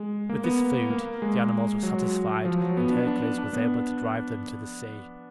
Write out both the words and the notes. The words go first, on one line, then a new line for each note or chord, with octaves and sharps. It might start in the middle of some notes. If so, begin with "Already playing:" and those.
With this food the animals were satisfied and Hercules was able to drive them to the sea.
Already playing: G#3
A#3
B3
A#3
G#3
F#3
F3
F#3
B3
D4
D4
D4
D4
B3